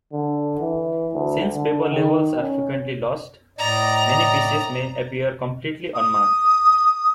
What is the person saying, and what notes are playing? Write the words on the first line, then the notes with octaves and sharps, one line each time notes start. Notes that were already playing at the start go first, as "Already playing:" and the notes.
Since paper labels are frequently lost, many pieces may appear completely unmarked.
D3
E3
D2
D3
D#3
C#4
A2 D5 D#5 A#5
D#6